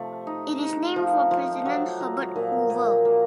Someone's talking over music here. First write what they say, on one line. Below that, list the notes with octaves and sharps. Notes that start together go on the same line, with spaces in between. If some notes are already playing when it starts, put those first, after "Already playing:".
It is named for president Herbert Hoover.
Already playing: C3 F3 A3
D#4
D#4
F3
F3
F#3
F#3
A#2
A#2
A#3